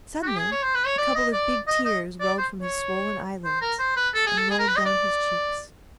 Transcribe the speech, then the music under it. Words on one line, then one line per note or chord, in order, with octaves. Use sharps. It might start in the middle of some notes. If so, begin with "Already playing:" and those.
Suddenly a couple of big tears welled from his swollen eyelids, and rolled down his cheeks.
F#4
G4
G#4
C#5
C5
B4
C#5
D5
D#5
D5
D#5
D#5
D5
C5
C#5
C5
A#4
C5
B4
A4
G#4
A4
G#4
A#4
B4
D#5
D5